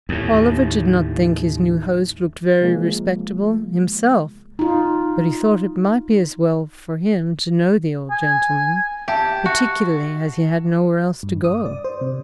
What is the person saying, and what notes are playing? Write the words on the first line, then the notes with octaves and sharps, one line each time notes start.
Oliver did not think his new host looked very respectable himself, but he thought it might be as well for him to know the old gentleman, particularly as he had nowhere else to go.
D#2 A2
C3 F3 G#3 A#3
D#4 F4
G#5
G4 E5 A5
F#4
G2
D#6
D5
C5
C3